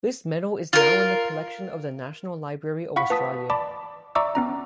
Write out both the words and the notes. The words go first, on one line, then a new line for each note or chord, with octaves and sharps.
This medal is now in the collection of the National Library of Australia.
F4 A#4
F5 F#5 B5 C#6 B6
B4 A5 D#6 B6
D5 A5 B5 D6
D5 E5 A#5 C#6 D6 E6
B3 C#4 A#5